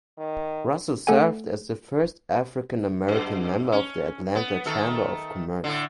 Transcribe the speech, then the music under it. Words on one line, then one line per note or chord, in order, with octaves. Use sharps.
Russell served as the first African American member of the Atlanta Chamber of Commerce.
D#3
A3 A4 F#5 G#5
F#2
C#4
B3
D#3 A3 A4
A2 D3